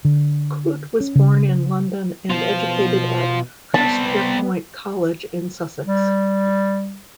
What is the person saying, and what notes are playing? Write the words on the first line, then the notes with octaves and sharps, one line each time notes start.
Coote was born in London and educated at Hurstpierpoint College in Sussex.
D3
C#4
C#3
B2 F3 F4
G3 B3 C4 A5
G3